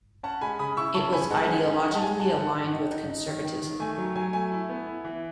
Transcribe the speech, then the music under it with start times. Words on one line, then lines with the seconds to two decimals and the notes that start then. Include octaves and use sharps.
It was ideologically aligned with conservatism.
0.23 C#4 F#5 A5
0.41 G#3 G#5 B5
0.59 C#3 B5 D#6
0.77 E4 C#6 E6
0.94 C#3 A5 C#6
1.13 C#3 G#5 B5
1.30 G#3 F#5 A5
1.48 C#4 G#5
1.66 D#4 F#5
1.84 D#4 F#5
1.95 A5
2.02 G#3 G#5
2.20 G#3 F#5 A5
2.37 D#3 F#5 A5
2.55 D#3
2.73 D#4
2.91 D#4
3.09 D#4
3.27 D#3
3.44 D#3
3.62 D#3
3.80 A3 G#5
3.98 F#3
4.16 F#3 G#5
4.33 A3 G#5
4.52 E4
4.69 B3
4.87 E4
5.04 E3